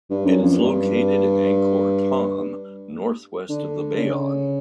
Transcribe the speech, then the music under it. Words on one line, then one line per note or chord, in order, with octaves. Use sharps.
It is located in Angkor Thom, northwest of the Bayon.
G2
F#2
F2
G2
D3
C#3